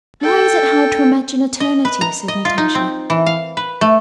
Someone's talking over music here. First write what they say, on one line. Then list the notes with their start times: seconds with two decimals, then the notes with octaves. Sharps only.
"Why is it hard to imagine eternity?" said Natasha.
0.21 A4 G5
1.60 D#5
1.85 B4
2.01 A#5
2.28 D#5
2.45 F4
2.58 D#4
2.75 C4
3.10 E3
3.26 F5
3.57 B4
3.81 A3